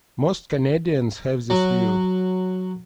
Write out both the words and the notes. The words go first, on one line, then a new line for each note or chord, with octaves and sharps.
Most Canadians have this view.
F#3